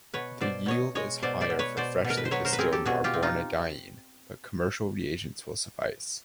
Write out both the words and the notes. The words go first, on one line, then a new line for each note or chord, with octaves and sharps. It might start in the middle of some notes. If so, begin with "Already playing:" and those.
The yield is higher for freshly distilled norbornadiene, but commercial reagents will suffice.
B2 B4 C#5
B2 C5 D5
B2 C#5 D#5
G#3 C#5 D#5
B2 C5 D5
C5 D5
B2
B4 C#5
B2 C5 D5
B2
A#4
B4
C5
F#3 B4 C#5
A#4 C5
B4
C4 G#4 A#4
G4 A4
B2 F#4 G#4
F4 G4
C4
D#4 F4